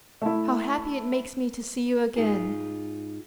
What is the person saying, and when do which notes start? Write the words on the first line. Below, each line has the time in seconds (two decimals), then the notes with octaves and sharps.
How happy it makes me to see you again!
0.22 A3 E4
2.16 G#2 D#4 F4 G#4